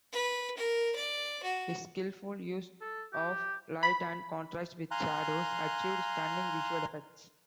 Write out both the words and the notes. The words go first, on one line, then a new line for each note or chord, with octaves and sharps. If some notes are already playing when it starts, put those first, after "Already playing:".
His skilful use of light and contrast with shadows achieved stunning visual effects.
B4
A#4
D5
F#4
A4
G4
B5
F5 G#5 A#5 C6 F#6